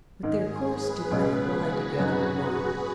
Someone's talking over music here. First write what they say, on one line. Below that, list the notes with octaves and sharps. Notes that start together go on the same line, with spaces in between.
But their course did not lie together long.
G#2 D#3 G#3 G#4
B4
C#2 B2 G#3 C#4 G#4
F#4
F#2 F#3 D#4